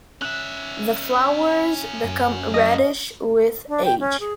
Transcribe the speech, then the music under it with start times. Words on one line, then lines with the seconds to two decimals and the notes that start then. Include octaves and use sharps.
The flowers become reddish with age.
0.22 C#4 E5 F#6
2.04 F#2
2.54 D#5
3.68 D4
3.85 G5
4.00 C#4
4.20 G#4